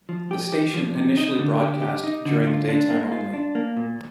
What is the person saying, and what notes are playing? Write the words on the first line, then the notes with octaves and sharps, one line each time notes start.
The station initially broadcast during the daytime only.
F3
G4
G4
F3
C3
D#4
D3
G4
G4
D#4
D3
F4
D4
A#3
F4
D4
A#3
A#2